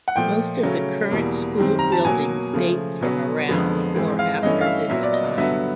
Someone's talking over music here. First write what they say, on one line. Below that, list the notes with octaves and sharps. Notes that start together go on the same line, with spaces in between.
Most of the current school buildings date from around or after this time.
F#5
A#2 F3 A3 G5
C#3 F#3 A3 C#4
E2 B2 G3 A#3
F#2 D#3 G3 C4
A#5
A5
B2 F#3 A#3 G#5
C#3 F3 A3
B2 F#3 B3
F2 D3 F3 G#3 B3
G#2 E3 G#3 C4
F5
G2 E3 A3 C#4 D#5
F5
E5
A#2 F#3 B3 E5
D5
D#5
G2 D3 F#3 B3 E5